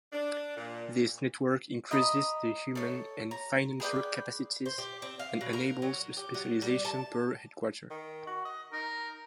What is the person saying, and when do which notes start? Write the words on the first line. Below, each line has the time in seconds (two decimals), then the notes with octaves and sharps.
This network increases the human and financial capacities and enables a specialization per headquarter.
0.13 D4
0.57 A#2
1.91 D#5 A#5 B5
2.75 A4 C#5
3.31 A#5
3.80 G#4 B4 D5 G5
4.66 C5
4.78 G4
5.02 C4
5.19 F5
5.41 B2
5.53 A#4
5.82 F#3
6.17 G4
6.34 F#3
6.62 G3
6.85 A5
7.90 D#3
8.27 F#4
8.45 D#5
8.72 D#4 A#4